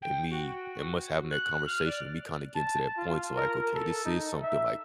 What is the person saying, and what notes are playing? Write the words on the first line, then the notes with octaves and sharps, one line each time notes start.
And me and m us having that conversation and me kinda getting to that point to like, "Okay, this is something," like,
G5
F#4
F#6
F6
D5
A5
F4
A#4
A4
D#4
E5